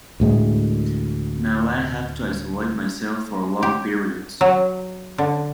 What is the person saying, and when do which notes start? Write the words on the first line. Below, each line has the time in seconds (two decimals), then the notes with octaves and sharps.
Now I have to isolate myself for long periods.
0.20 D2 A2 G#3
3.63 G4
4.41 F#3
5.18 D3